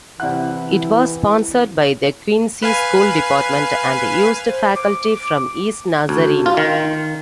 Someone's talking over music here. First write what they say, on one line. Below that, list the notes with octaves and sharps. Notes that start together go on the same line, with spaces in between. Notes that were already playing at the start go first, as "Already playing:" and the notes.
It was sponsored by the Quincy School Department and used faculty from Eastern Nazarene.
C3 E3 E4 D5 E5 F#5 F#6
B4 F5 G#5
C5
D6
D6
D2
F4
D#3